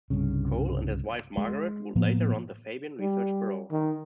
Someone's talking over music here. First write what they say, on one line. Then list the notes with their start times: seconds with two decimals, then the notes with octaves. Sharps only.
Cole and his wife Margaret would later run the Fabian Research Bureau.
0.10 C2 G2 C#3
1.37 G#3
1.96 A2 F3 A#3 B3
3.00 G3
3.71 D#3